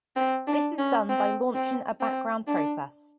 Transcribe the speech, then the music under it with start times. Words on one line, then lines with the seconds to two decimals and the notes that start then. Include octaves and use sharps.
This is done by launching a background process.
0.16 C4
0.47 D4
0.78 C#4
1.09 C4
1.55 C4
2.01 C4
2.47 D4